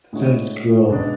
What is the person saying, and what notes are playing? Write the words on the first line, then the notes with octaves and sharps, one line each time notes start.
That's cool.
A2 G#3 D4 F#4 C#5
B2 G#3 D4